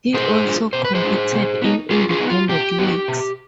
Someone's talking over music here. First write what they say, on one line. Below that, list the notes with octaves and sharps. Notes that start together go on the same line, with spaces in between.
He also competed in independent leagues.
B2 G#4 C5
G#3 D4 F4
B2 C5
B4
G#4 C5
G#3 D4 F4
B2
B3 D#4
B2 F4 G#4
F4 G#4
B3 D#4
F4
B2 G4
B3 D#4
B2